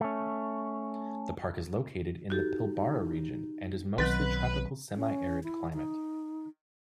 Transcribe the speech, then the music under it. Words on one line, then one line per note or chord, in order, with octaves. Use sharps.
The park is located in the Pilbara region, and is mostly tropical semi-arid climate.
A3 C#4
D#4 F#4 G4 A4
B1 D#3 F#3 C4 B4
C#4
E4
D#4